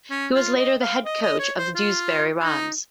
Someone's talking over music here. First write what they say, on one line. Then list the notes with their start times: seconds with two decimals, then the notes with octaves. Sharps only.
He was later the head coach of the Dewsbury Rams.
0.11 C#4
0.35 F4
0.58 D#5
0.81 F5
1.05 D#5
1.22 D#5
1.39 C#5
1.57 C5
1.75 F4
2.40 F4
2.44 D#4